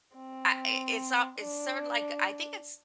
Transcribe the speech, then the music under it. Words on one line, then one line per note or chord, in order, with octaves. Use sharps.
I i it's so it's sorta like, I think it's
C4
D4